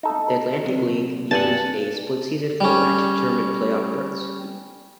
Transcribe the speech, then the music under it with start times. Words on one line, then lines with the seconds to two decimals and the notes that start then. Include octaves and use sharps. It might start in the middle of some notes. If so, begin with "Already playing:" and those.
The Atlantic League uses a split-season format to determine playoff berths.
0.03 D#4 A4
0.64 B1 C3 F#3
1.31 G2 F#5 G#5 A5
2.61 G3 C#4